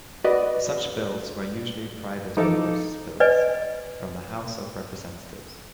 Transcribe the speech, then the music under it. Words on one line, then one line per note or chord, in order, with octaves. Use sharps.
Such bills were usually private member's bills from the House of Representatives.
F#4 B4 D5 D#5
E3 F3 D#4 A4 D6
B4 D5 D#5 G#5